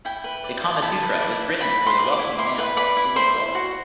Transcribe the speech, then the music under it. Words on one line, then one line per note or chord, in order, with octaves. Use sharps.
The "Kama Sutra" was written for the wealthy male city-dweller.
E4 G5
B4
D5
E4
E4 A5
B4
D5
E4
E4 B5
B4
C6
D5
D6
E4
E4 C6
B4
D5 B5
E4
C5 C6
C5
F#4